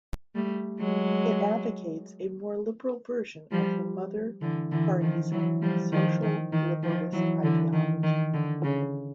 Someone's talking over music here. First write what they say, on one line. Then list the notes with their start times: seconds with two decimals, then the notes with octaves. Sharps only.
It advocates a more liberal version of the mother party's social liberalist ideology.
0.35 G3 A3
0.80 F#3 G#3
3.51 F3 G3
4.41 D3 E3
4.71 D3 E3
5.01 D#3 F3
5.31 E3 F#3
5.62 F3 G3
5.92 D#3 F3
6.23 D#3
6.53 D#3
6.83 D#3 F3
7.13 E3 F#3
7.43 D3 E3
7.73 D#3
8.03 D#3
8.34 D3
8.64 C#3